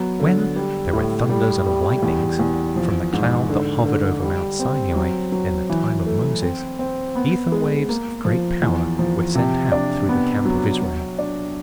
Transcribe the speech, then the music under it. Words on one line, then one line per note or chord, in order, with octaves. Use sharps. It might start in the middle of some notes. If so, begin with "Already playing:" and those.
When "there were thunders and lightnings" from the cloud that hovered over Mount Sinai in the time of Moses, ether-waves of great power were sent out through the camp of Israel.
Already playing: F#3 B3
D3
G3
A2
G3
G3
E2
E2
F3
G#2
D3
D3
G3
C4
F#3
F#3
E3
A3
C4
C4
B3
G#3
A#3
F3
E2
F3
C3
D4
B3
F#3
F#3
D4